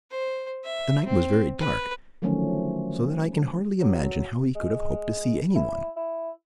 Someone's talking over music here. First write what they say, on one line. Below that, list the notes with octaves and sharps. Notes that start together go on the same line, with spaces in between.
The night was very dark, so that I can hardly imagine how he could have hoped to see anyone.
C5
E5
C4
B4
D3 D#3 F3 F#3 A3 C#4
F#3
G#3
E4
E4